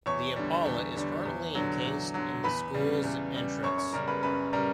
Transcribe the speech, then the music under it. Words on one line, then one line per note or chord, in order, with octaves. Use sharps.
The impala is currently encased in the school's entrance.
E2 C#5 C#6
D3 G3
E2
D3 G3
E2
D3 F#3
E2
D3 F#3
E2 B4 B5
C#3 G3
E2
C#3 G3
F#2 C#5 C#6
C#5 C#6
C#3 G3 A#4 A#5
B4 B5
F#2 B4 B5
C#3 G3 A#4 A#5